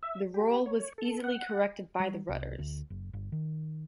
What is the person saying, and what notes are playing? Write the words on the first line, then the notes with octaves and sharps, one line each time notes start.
The roll was easily corrected by the rudders.
E5
G4
C#5
A4
F#5
G3
C2
D2
F#1
G1
D#3